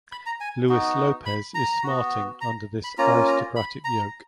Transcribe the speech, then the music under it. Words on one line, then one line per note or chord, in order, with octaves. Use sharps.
Luis Lopez is smarting under this aristocratic yoke.
B5
A#5
G#5
B3 D#4 F#4
B5
A#5
B3 F#4
A#5
B5
A#3 C#4 F4 A#5
A#5
B5
A#5